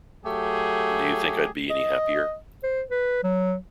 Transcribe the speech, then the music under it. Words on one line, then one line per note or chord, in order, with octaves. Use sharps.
Do you think I'd be any happier?
F#3 A3 G4 G#4
D#5
C5
B4
F#3